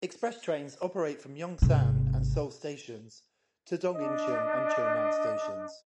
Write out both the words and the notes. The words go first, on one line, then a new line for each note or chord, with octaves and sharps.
Express trains operate from Yongsan and Seoul Stations to Dongincheon and Cheonan stations.
G#1 C3
D4 D#5